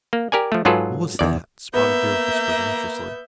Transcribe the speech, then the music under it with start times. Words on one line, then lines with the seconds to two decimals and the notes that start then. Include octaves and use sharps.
"What was that?" Spotted Deer whispered, anxiously.
0.13 A#3
0.32 G4 A#4 D5 G#5
0.52 F3 A3
0.65 G#2 F#3 F4 G#4 A4 B4
1.19 E2 D5
1.74 A#3 B3 E5 G6